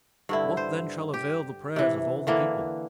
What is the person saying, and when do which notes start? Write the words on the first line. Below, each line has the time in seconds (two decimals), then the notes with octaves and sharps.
What, then, shall avail the prayers of All the People?
0.29 G2 D3 E4
0.57 C5
1.14 G4
1.76 C3 E3
2.27 D3 E3 A#3